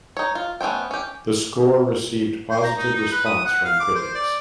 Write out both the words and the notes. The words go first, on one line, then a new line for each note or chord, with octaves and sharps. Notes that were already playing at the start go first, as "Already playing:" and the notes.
The score received positive response from critics.
D#4 C#5
F4
A3 B3 C#4 C5 G5
C#4 G4
C5
A#5
D#4
D#4
B4
D#6
F#5
F5
D6
C5
D5